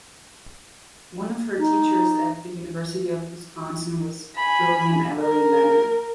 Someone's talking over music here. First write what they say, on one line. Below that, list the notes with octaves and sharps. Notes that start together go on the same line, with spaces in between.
One of her teachers at the University of Wisconsin was William Ellery Leonard.
D#4
G#5 B5
A#4